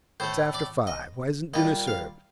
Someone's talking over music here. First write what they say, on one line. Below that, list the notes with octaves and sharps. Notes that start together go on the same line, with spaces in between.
'It's after five; why isn't dinner served?'
A2 A3 C5
D5
D#5
A#2 G3 D#5
F5